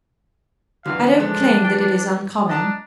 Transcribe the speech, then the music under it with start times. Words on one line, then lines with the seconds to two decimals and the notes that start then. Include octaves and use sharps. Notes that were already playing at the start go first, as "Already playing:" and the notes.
I don't claim that it is uncommon.
0.86 D2 D3 E3 F#3 F5
1.20 F3 G#3 A3 D4
1.64 E3 G5
2.49 D4 D#5 A5 A#5